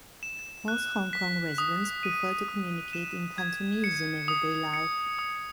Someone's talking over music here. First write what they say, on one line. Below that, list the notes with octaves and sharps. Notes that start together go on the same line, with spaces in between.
Most Hong Kong residents prefer to communicate in Cantonese in everyday life.
E7
F#6
B6
D#6
D#7
D#6
E7
G#6
C#7
D#6
C#7
D#6